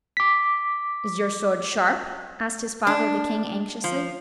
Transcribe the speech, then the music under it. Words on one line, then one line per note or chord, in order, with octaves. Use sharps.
"Is your sword sharp?" asked his father, the King, anxiously.
D6 B6
D4
F3